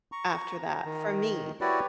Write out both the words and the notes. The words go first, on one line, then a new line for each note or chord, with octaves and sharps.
after that, for me.
A#5 C#6
D#3
E4 F#4 G4 B4 C#5 D5